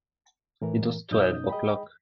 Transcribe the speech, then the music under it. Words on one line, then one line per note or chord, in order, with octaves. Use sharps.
It was twelve o'clock.
A2 E3 A#4
F#2 B2 C#4 D#4 D#6 G6
G#4 D#5 G5 B5